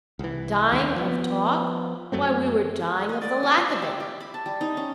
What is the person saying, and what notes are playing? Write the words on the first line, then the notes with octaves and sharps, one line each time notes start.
Dying of talk?--why we were dying of the lack of it!
C2 E3
D#2 D#3 A3 C4
F3 B3
F#2 F#3 A3 C4
D#5
D5
G3
F4
E5
G4
G4
B5
A5
G3
D#4
C#4